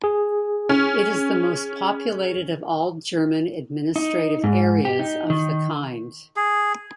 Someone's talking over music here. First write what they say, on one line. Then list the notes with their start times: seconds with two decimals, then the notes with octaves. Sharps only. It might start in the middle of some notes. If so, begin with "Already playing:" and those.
It is the most populated of all German administrative areas of the kind.
0.04 G#4
0.69 C#4
3.96 D#4
4.44 G#2
4.85 G4
4.99 D#4
5.30 D#3
6.36 G#4